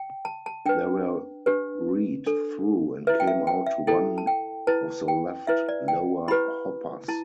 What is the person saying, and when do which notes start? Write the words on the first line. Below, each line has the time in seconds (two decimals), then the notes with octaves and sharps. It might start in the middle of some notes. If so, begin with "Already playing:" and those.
They were read thru and came out to one of the left lower hoppers.
Already playing: G5
0.25 A5
0.46 A5
0.66 D4 B4 G5
1.46 D4 G4 B4
2.27 D4 A4
3.07 E4 B4 E5
3.20 G5
3.27 E5
3.47 G5
3.66 E5
3.87 E4 A4 G5
4.18 A5
4.27 G5
4.67 E4 B4 A5
5.08 G5
5.47 E4 B4 E5
5.69 D5
5.88 G5
6.28 E4 G4 B4 B5
7.08 E4 A5